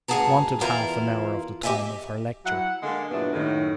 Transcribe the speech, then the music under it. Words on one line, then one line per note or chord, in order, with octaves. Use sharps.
It wanted half an hour of the time of her lecture.
D2 G2 G#4 F#5 A5 A#5
E2 E4 F4 A#4 F5 A#5
G4 A4 D#5 E5 G#5
F#3 E4 F#5
D3 G#3 A#3
G2 A#2 F#3 B3 D4 E4
F#2 A2 D#3